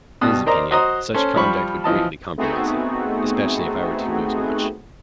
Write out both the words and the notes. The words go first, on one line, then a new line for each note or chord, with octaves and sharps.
In his opinion, such conduct would greatly compromise him--especially if I were to lose much.
G2 B2 D#6
A#4 C5 D5 D#5 A#5
F#4 C5 D#5 A#5 C6 D#6
C#4 A4 C5
F3 G3 B5 C#6
E3 F3 D#5 A5
A3 B3 C4 D#4 F#4 G#4